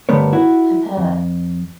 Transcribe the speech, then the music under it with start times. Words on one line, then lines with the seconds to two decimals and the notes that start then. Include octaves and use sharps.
I bet.
0.09 G2 D3 A3 B3 A#4 C#5
0.33 E4 F#4
0.97 F2